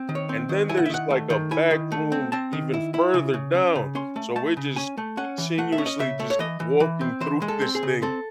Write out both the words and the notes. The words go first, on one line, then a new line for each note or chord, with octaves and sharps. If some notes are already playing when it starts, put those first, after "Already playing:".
and then there's, like, a back room even further down, so we're just continuously just walking through this thing,
Already playing: C4
D#3
C#5
C4
D#3
E4 G#5
F#5
E5
D#3 F#5
A3
D#3
E4 G#5
D#3
A3
C4
C4 A5
D#3
E4
E4
C#3
C#3
C#4
C#3
C#4 C6
A3
A3 A5
C#3
C#4 G#5
A3
C#4 F#5
E3
A3 F#5
E5
C#4
D#5
C#3 E5
A3
C#5
E3 D#5
E3
E3
C4
E3 C5
G#3
A4
C4
G#4
C#3
C4 A4